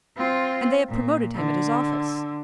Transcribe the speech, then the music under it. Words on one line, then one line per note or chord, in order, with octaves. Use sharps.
"And they have promoted him at his office."
C4 F4
A#2
D3